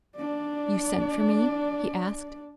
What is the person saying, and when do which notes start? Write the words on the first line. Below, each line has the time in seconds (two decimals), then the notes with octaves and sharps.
"You sent for me?" he asked.
0.16 D4 D5